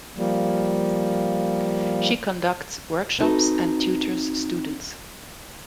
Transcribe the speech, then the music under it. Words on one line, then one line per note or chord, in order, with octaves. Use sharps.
She conducts workshops and tutors students.
F3 G3 A#3
B3 C4 D#4 F#4 A4 B4